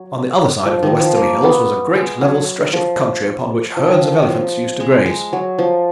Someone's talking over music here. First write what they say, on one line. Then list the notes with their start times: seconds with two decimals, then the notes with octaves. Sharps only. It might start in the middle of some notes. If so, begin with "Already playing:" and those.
On the other side of the westerly hills was a great level stretch of country upon which herds of elephants used to graze.
Already playing: F#3
0.65 F3
0.83 D#3
1.00 F3
1.17 A#3
1.43 B3
1.95 G#3
2.21 F#3
2.73 F3
3.77 F3
3.87 D#3
3.94 F3
4.12 D#3
4.22 F#3
4.29 F3
4.80 G#3
5.06 G#3
5.33 F#3
5.59 F3